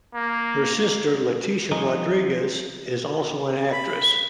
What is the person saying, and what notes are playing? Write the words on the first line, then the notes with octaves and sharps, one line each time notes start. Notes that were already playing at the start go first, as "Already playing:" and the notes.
Her sister Leticia Rodriguez is also an actress.
A#3
F3 G#3 D#4
B5